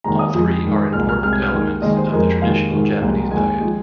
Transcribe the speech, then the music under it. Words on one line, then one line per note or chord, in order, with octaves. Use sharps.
All three are important elements of the traditional Japanese diet.
D#2 D#3 G#3 A#5
D#6
F2 F3 G#3
G#2 D#3 G#3
C2 A#2 G#3 F6
F6
C2 C3 G#3 F6
G#6
F6
D#2 D#3 G#3
D#2 D#3 G#3 D#5
C5
F2 F3 G#3 A#4
D#2 D#3 G#3 F5
G#2 D#3 G#3
C2 A#2 F3 G#3
D#2 D#3 G#3 G#5
F3 G#3